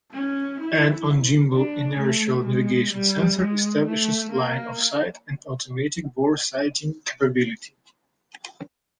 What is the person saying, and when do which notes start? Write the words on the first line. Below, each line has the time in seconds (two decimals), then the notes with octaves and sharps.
An on-gimbal inertial navigation sensor establishes line-of-sight and automatic boresighting capability.
0.14 C#4
0.60 E4
1.53 D4
1.99 A3
2.46 G#3
2.93 G3
3.39 G#3
3.86 A3
4.32 A#3